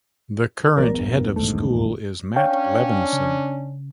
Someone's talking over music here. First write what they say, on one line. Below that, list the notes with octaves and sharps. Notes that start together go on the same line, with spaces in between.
The current head of school is Matt Levinson.
A#1 E3 F#3 B3 A#4 D5
E2 G2
A#1 D#2 G#2 A3
C#4 D4 C#5 F5 G5
C#3